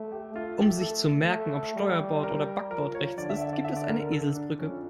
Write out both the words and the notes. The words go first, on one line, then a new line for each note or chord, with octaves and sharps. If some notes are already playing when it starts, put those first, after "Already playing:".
Um sich zu merken, ob Steuerbord oder Backbord rechts ist, gibt es eine Eselsbrücke.
Already playing: A3
G4
A3 F4
G4
A4
A3
G3
A#4
F3 A#4
C#5
D3 D5
E5
E5
D5
E5
D5
A#4
A#4
A4
D4
F2 C#4